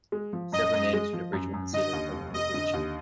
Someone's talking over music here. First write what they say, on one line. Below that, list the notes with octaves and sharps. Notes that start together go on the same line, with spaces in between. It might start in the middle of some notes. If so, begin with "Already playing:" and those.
Several names for the bridge were considered for the new bridge.
G#3
F3
F#2 D#5
F#2
G#3
F3
F#2
F#2
D3 D#5
D#2
F1
F1 D#5
D3
D#2